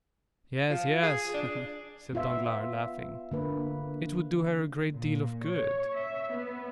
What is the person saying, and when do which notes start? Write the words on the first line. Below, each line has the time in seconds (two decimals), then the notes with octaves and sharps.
"Yes, yes," said Danglars, laughing, "it would do her a great deal of good."
0.70 F3
1.02 G#4
1.34 D4
2.13 B3 F4 E5
3.31 D3 A#3 B4
4.92 A#2
5.42 C#5
5.95 E5
6.32 B3